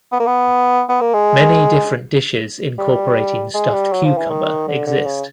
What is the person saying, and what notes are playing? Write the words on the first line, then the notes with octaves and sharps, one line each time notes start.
Many different dishes incorporating stuffed cucumber exist.
B3
A#3
B3
B3
A#3
G#3
G3
G#3
G3
F#3
F3
E3
D#3
D3
D3
C#3